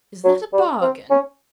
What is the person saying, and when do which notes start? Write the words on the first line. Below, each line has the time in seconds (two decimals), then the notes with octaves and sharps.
Is that a bargain?'
0.24 F#3
0.53 G3
0.82 C4
1.10 C#4